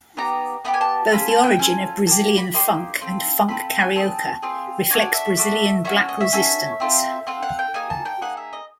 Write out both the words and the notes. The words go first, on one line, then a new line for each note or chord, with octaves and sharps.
Both the origin of Brazilian funk and "Funk carioca" reflects Brazilian black resistance.
B3 D#4 G4 A#5
B3 D#4 G4 B5
G#5
A5
C#4 F4 A4 B5
A5
G5
C#4 F4 A4 G#5
A#3 D#4 G4 A5
B5
A#3 D#4 G4 C6
C4 F4 A4
C4 F4 A4 B5
G#5
C4 F4 G#4 A5
C4 F4 G#4
D4 F#4 A4 G#5
E5
D4 F#4 A4
C#4 F#4 A4 E5
D#5
E5
C#4 F#4 A4
C4 F4 A4
C4 F4 A4 F#5
F#5
G5
A#3 D#4 G#4 G#5
A5
G5
A#3 D#4 G#4 F#5
E5
D#5